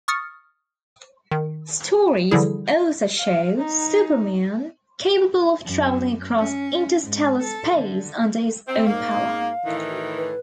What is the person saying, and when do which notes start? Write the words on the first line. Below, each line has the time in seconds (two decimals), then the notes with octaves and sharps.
Stories also show Superman capable of traveling across interstellar space under his own power.
0.08 C#6 D#6 F6 A6 C#7
1.31 D#3
2.31 D3 E3 F3 G3 E4 G#4
3.17 F5
3.57 D#4
5.65 F#2
6.37 C#4
7.03 G#2
7.43 A4
7.77 D3
8.67 C4
8.86 G#2 A#3 F5
9.65 A2 D#3 E3
10.17 B4